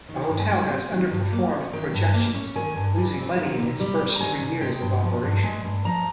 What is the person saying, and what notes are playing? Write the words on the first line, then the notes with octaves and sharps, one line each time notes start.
The hotel has underperformed projections, losing money in its first three years of operation.
D#3
G2
G#5
G3 G5
C4
D#3
G2
A#3
C#4
D#3 G5
G2
A#3
C#4
D#3 G#5
G2
G3
C4
D#3
C3
G3
C4
A#5
D#3 G#5
C3
G#3 G5
G2
F3
G2
G#3 G#5
G2
F3 A#5